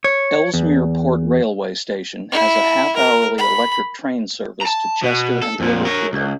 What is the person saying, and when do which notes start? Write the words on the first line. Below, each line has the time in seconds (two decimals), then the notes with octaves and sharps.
Ellesmere Port railway station has a half-hourly electric train service to Chester and Liverpool.
0.04 C#5
0.54 E2
2.31 E4
2.96 A#4
3.38 B5
4.61 A5 A#5
5.03 B2
5.42 A4
5.60 F2 A#2
5.85 A#4 C#5
6.13 C#2